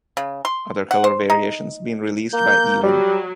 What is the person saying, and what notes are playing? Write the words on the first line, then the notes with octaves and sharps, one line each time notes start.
Other color variations been released by eWin.
C#3
C6
F#5
C5
D#4
A#3 G6
F#3 G3